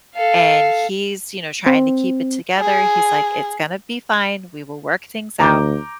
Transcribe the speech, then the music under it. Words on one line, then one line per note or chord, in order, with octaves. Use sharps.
and he's, you know, trying to keep it together. He's like, "It's gonna be fine. We will work things out."
A4 F5
C4
G#4
D2 A#5 D6 G6